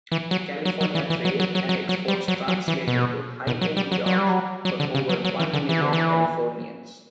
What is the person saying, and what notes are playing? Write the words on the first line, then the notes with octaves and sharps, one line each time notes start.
California trade and exports translate into high-paying jobs for over one million Californians.
E3
F#3
F#3
F#3
E3
E3
F#3
F#3
F#3
F#3
F#3
G3
F#3
F#3
E3
B2
B2
F#3
G3
F#3
F#3
G3
F#3
F#3
D3
C#3
F#3
F#3
E3
D3
E3
D3
E3